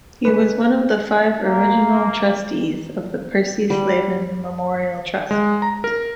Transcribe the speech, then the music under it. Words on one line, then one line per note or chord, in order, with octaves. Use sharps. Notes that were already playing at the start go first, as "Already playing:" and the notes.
He was one of the five original Trustees of the Percy Sladen Memorial Trust.
G#3 B4
A#3
G3
G#3
A#5
A#4